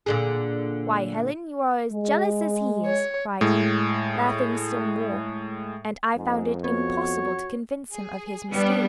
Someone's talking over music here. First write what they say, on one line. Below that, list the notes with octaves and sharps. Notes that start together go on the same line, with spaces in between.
'Why, Helen, you are as jealous as he is!' cried he, laughing still more; and I found it impossible to convince him of his mistake.
A#2 D3 G#4
G#3
C#5
A2 G#3
F2 G#2
B3 F#4 C#5
G#4
G3 B3 D4